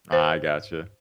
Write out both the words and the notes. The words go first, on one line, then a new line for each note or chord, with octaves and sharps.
I gotcha.
C5